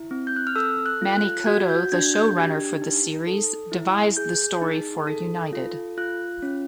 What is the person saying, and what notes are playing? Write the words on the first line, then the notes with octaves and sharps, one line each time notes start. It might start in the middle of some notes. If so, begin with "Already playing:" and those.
Manny Coto, the showrunner for the series, devised the story for "United".
Already playing: E4
C4
G6
F#6
F6
A4 E6
F#6
F4
F#6
F#4 G#6
G6
D4 G#6
G6
G4 G#6
D#4
A4
E4
G#4 G6
D#4
A4
F4
F4 F#6
C#4